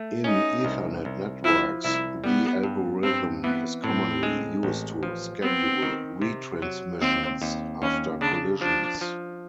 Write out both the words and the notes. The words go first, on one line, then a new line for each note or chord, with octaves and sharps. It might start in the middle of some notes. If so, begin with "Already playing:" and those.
In Ethernet networks, the algorithm is commonly used to schedule retransmissions after collisions.
Already playing: A3
C#4 D#4
C2
C2
F3 E4
C2 E4
G3 B3
G2
G2 C4
E3 B3
A2 C4
G#3
A1
F3
B3 C4
D#3
C3
F#3
D#2 C4
D#2
D#2 C#4
C#3 D4
F3 D4
F3